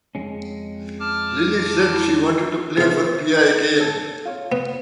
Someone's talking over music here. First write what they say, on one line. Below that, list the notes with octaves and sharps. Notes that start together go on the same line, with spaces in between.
Lilly said she wanted to play for Pia again.
F2 G#3 C#4
A5 D6 F6
E4
B3 G#4 C5 E5 F5
A4
F4 C#5
B3